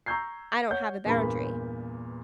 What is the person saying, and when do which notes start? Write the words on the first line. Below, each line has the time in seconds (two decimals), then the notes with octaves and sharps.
I don't have a boundary.
0.06 A#5 C#6 E6 G6 G#6 C7
0.71 C#5 F#5 G6
1.06 E2 G2 A#2 A#3 B5